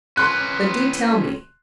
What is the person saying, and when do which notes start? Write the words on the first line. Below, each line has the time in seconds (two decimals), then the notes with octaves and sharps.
But do tell me.
0.17 C#4 B4 C6 F#6